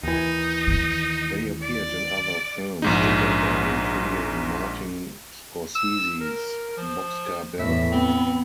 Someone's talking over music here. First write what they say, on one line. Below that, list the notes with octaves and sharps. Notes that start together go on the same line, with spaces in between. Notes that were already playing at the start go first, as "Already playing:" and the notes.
They appeared in other films together including Martin Scorsese's "Boxcar Bertha".
D#2 E3 D#4
D#3
D5
A#1 G#2 D#4
E6
A#4
F3
E2 A2 E3 E5
B3 C4